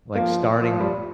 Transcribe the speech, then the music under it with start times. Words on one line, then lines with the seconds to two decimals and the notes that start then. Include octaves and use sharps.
like starting
0.15 F3 A#3
0.59 F3
0.80 G3